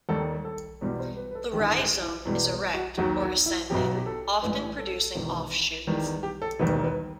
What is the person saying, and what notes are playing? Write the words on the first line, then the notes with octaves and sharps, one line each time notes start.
The rhizome is erect or ascending, often producing offshoots.
D#2 D#3 G3 A4
A4
E2 B2 G3
C5
B4
B4
A4
A1 G2 D#3 G4
G4
E4
E2 B2 G3
F#4
D#2 D#3 F#3 F#4
F#4
E4
B1 B2 F#3 G4
G4
A4
A1 A2 E3 G3 B4
A4
E1 E2 D#3
E2 D#3 G3 B4
G4
A4
E1 D#2 D#3 G3 B4
B4